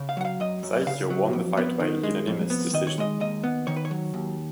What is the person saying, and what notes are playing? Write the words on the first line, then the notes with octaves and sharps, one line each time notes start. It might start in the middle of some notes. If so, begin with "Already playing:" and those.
Saikyo won the fight by unanimous decision.
Already playing: C#3
F5
F#3 F#5
F5
F#2 D#5
F#2
C#3 F5
F#3
F2
B3
D#3
G#3
F2
B3
D#3 D#5
C#5
G#3 D#5
D#2 D#5
B3
D#3 C#5
B4
C#5
F#3
D#2